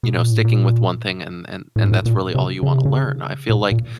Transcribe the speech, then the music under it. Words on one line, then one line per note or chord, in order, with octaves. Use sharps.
you know, sticking with one thing and and and that's really all you wanna learn. I feel like
B2
A#2
A2
A#2
A2
G#2
A2
A#2
C3
C#3
C3
C#3
A#2
A#2